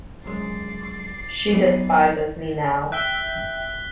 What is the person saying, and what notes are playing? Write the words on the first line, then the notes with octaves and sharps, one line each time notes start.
She despises me now.
C2 F#2 G#3 D5 C7
F#3 B3 D#4
E5 G5 F#6 B6 G7